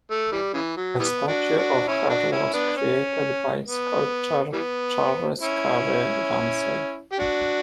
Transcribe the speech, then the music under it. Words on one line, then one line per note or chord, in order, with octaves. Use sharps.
A statue of her was created by sculptor Charles Cary Rumsey.
A3
E3 G3
C#3 E3
F#3
E3 G3 B3
D4 F#4
D4 F#4
C#4 E4
D4 F#4
C#4 E4
B3 D4
C#4
B3
E3 G3 B3
C#4 E4
G4
D4 F#4